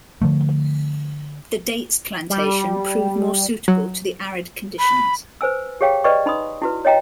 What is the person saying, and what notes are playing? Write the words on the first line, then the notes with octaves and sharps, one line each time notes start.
The dates plantation proved more suitable to the arid conditions.
D3 F3 A3
G3
F#3
B5
B4 C5 G#5 E6
G4 G#4 C#5 F5 G5
B4 D5 D#5 G5 C#6
D#4 B5 C6 D#6
E4 F#4 B4
C#5 D#5 G5 A#5